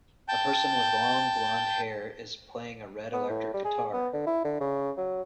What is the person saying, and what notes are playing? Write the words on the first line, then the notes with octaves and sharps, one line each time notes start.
A person with long blondhair is playing a red electric guitar.
G5 A5 G6
B3
A2
G3
G#4
B3
D3
E4
D3
C#3
F#3